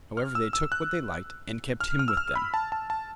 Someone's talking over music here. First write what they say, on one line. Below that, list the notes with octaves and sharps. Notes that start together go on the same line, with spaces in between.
However they took what they liked, and kept him with them.
F6
E6
E6
F#6
F6
F6
E6
F6
B5
A5
A5
A5